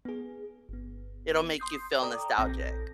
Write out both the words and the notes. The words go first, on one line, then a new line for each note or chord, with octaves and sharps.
It'll make you feel nostalgic.
B3 G#4
G1 B3
C6 D#6 G6 C7
A4 D5 G5 A#5 D6 D#6
A#1 C4 A4 G6 A#6